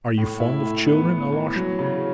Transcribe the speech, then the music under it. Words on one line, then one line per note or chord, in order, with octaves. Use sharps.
Are you fond of children, Alyosha?
A2
E4
A2
B3
B3
E3
F#3
C#3